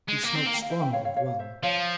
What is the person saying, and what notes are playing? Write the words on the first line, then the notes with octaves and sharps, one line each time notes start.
He smelt strongly of rum.
G#3
A#3
C4
A#3
G5
F5
C5 E5
E5 G5
C#5 F5
C#5 F5
C#5 F5
C5 E5
F3 C#5 F5